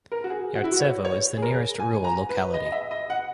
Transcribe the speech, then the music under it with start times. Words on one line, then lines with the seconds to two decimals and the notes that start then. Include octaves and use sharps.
Yartsevo is the nearest rural locality.
0.12 A#4
0.24 F#4
0.30 G#4
0.55 F#4
0.64 E4
0.72 F#4
0.80 C#5
1.05 C#5
1.38 G#4
1.42 A#4
1.80 G#5
1.94 G#5
2.04 A#5
2.29 B4
2.54 D#5
2.66 D#5
2.72 E5
2.91 D#5
3.10 F#5